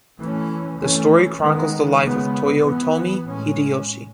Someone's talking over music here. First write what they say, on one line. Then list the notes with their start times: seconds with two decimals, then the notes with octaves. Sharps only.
The story chronicles the life of Toyotomi Hideyoshi.
0.19 E3 A3 C#4
0.80 E3 A3 C#4
1.40 D#3 G#3 B3
2.02 C#3 G#3 B3
2.62 E3 B3
3.23 A2 G#3 C#4